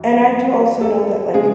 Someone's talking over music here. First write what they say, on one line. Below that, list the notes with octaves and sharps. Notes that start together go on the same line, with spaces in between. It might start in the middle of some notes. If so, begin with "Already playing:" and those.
And I do also know that, like,
Already playing: F#2 E3
A4
C#3 G#3 C#4 G#4